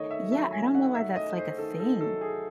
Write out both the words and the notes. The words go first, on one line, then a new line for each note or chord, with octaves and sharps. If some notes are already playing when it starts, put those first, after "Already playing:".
Yeah, I don't know why that's, like, a thing.
Already playing: D#3 A3 C#5 D#5
E5
F#3 E5
G#5
D#4 F#5
E5
A3 D#5
C5
D#3 A4
A4
F#3 A4
G#4